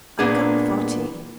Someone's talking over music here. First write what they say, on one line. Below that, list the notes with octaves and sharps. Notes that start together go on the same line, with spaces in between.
I'll come before tea.
A#2 A#3 B3 D4 G#4